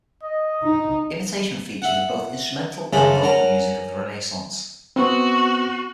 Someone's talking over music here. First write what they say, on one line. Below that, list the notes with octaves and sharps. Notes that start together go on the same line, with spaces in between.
Imitation featured in both instrumental and vocal music of the Renaissance.
D#5
D#4
E5 F#5
C#2 F#2 G#3 A3 G#4 B5
F#3 C#4 A#4
B3 C4 F#4